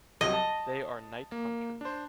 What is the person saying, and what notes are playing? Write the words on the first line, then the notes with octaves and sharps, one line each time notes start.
They are night hunters.
C2 C3 F#3 D#5
A5
A#3
D4 C5